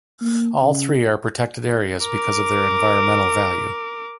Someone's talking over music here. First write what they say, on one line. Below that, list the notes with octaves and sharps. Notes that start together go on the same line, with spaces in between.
All three are protected areas because of their environmental value.
A#3
C#3
A#4 D6